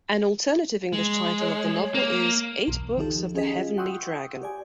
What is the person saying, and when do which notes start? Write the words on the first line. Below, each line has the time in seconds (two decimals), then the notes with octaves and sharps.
An alternative English title of the novel is "Eight Books of the Heavenly Dragon".
0.93 G#3
1.41 C#5
1.94 A#3
2.68 B1 E2
2.97 D#3 F3 D#4 G4 A4
3.35 C#4 G#4 D#5 B6
3.58 F4
3.78 F#5 G5 C6 C#6 D#6 E6
4.42 G4 D5 G#5